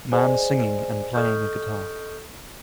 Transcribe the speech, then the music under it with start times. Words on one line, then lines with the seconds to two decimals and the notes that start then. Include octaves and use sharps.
Man singing and playing a guitar.
0.12 G#4 C5 D5 D#5 G#5
1.14 A4 D#5 C#6 D#6 F6 G6